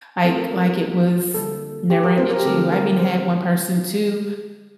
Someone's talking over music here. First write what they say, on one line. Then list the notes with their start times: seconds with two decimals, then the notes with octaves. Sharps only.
like, like, it was never an issue. I've even had one person too,
0.24 D#3 A3 C4 A4
0.38 A#4
0.53 A#4
0.67 A#4
1.34 D3 G3 A#3 A4
1.90 G4
2.03 A#4
2.18 C5
2.30 A#4
2.39 G4
2.44 D3 F#3 A3 C4 A4
2.72 A#4
2.99 C5